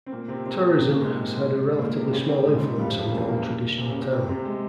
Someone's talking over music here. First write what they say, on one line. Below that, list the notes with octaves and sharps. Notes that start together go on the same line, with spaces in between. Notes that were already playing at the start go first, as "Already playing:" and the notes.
Tourism has had a relatively small influence on the old traditional town.
C4
A#2 A#3
C3 C4
C3 C4
C3 C4
A#2 A#3
G#2 G#3
A#2 A#3
C3 C4
C#3 C#4
C3 C4
G#2 G#3
G2 G3
F2 F3
C#2 C#3
E2 E3
A#2 A#3
C3 C4
C#3 C#4
C#3 C#4
C3 C4
C3 C4
G#3